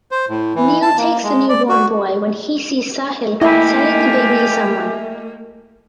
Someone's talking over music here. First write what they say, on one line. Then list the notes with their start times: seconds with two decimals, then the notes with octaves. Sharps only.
Neel takes the newborn boy when he sees Sahil selling the baby to someone.
0.11 C5
0.29 A2
0.55 E3
0.82 A5
0.98 A#3
1.24 G#3
1.49 D5
1.69 F#4
3.41 A3 A#3 E4 G4 D#5 E5 G#5